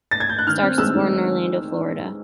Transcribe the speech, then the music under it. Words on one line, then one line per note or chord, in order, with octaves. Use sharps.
Starks was born in Orlando, Florida.
A6
G#6
G6
F#6
D#3 F6
C4
G#3 E6
D#3